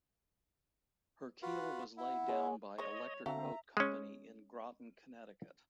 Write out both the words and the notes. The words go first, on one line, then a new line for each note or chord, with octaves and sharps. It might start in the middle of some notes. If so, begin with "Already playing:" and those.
Her keel was laid down by Electric Boat Company in Groton, Connecticut.
F4 F#4 B4
E4 F#5
G#3 C#5 E6
G#3 C5 C#5 D#5 C#6
D3 C4 F#4 A4 E5 F5 A#5
G#3 C#4